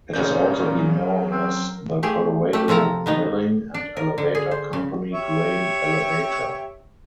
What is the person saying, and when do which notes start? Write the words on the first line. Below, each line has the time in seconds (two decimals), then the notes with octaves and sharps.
It has also been known as the Colorado Milling and Elevator Company Grain Elevator.
0.14 A#2 C#3 C#4 G6
0.66 F#3 A#4
1.31 C4
2.03 A3 G4 G#4
2.53 A3 G4
2.68 C3 F3 A4 A#4 A#5
3.06 D#3 B3 D#4
3.74 D4
3.97 A#4
4.18 D3
4.35 G#4
4.51 C5
4.73 C#3
5.13 G4 C#5 E5